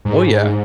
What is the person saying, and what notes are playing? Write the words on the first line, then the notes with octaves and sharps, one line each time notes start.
Oh, yeah.
G#2